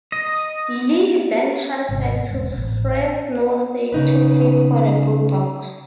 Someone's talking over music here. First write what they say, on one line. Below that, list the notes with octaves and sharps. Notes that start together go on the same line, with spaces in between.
Lee then transferred to Fresno State to play for the Bulldogs.
D#5
G#1 C3
E1
A1
C#3 D#4 B4